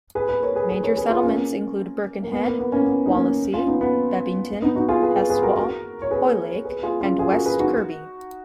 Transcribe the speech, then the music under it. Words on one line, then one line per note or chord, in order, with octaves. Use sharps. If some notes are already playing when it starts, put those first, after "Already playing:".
Major settlements include Birkenhead, Wallasey, Bebington, Heswall, Hoylake and West Kirby.
G#4 B4
G#4 B4
A#4 C#5
G#4 B4
G#4 B4
A#4 C#5
G#4 B4
F4 G#4
A#3 C#4
A#3
B3
A#3
B3
A#3 C#4
B3
D#4
A#3 C#4
C#4 F4
B3 D#4
B3
B3 D#4
D#4 F#4
F4 G#4
G#4 B4
G#4 B4
G#4 B4
F#4 A#4
F#4 A#4
C#5
G#4 B4
G#4 B4
F4 G#4
C#4 F4
F4 G#4
F#4 A#4
G#4 B4
D#4 F#4